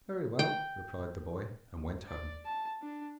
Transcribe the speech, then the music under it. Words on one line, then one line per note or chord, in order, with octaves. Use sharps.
'Very well,' replied the boy, and went home.
G5
D5
A5
D4